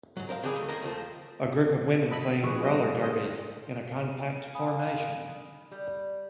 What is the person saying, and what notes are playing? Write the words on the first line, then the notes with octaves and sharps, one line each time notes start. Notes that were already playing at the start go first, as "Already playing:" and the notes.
A group of women playing roller derby in a compact formation.
G#2 F#3
A#4 C5 E5 F5
D#3 E3 G3 G4 G#4
C#2 A3
D#3 G#3 A#3 A#4
D#2 F3 A3 C5
A4 D#5 B5
A#1 F#4 G#4 B4 C#6 D#6
G3 G#3 F#4 D#5
G#4 C5 D#5
F5 G#5 B5 D#6
G3